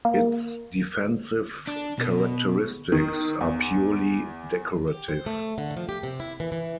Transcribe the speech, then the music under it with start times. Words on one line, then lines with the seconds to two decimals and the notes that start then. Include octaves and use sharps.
Its defensive characteristics are purely decorative.
0.05 A#3
1.67 D4
1.99 B2
2.92 D#3
3.41 E2
4.87 G4
5.09 C5
5.26 A3
5.58 D3
5.77 F3
5.89 G4
6.03 C3
6.20 E4
6.40 E3
6.52 E3